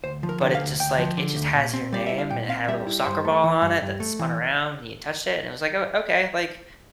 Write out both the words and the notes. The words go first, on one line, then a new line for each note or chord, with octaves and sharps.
But it just, like, it just has your name and it had a little soccer ball on it that spun around when you touched it. And it was like, "Oh, okay, like,
D2 C5
F3
A#4
D3
F5
D2
D2 G5
F3
D3
D2
A#2
C4
G3 D5
E5
E4
F5
A#2 G5
C4 F5
G3 E5
E4
G2 C5
A3
E3
G2
G2
A3
E3